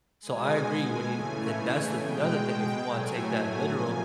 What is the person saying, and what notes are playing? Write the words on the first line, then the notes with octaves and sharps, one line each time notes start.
So I agree, when you and that's another thing, you wanna take that literal,
B2 G#3 G#5
C#3 E3 A3
B2 G#3 G5
A2 F#3 A3 G#5
G#5
C3 F3 A#3